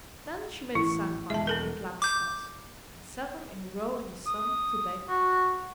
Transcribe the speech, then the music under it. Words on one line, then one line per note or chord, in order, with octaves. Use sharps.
Then she made sand-pies in clam-shells and set them in a row in the sun to bake.
A1 E4
E1 E2 G#3 E5 A5
B3 A4 A#4
D6 G6
D#6
F#4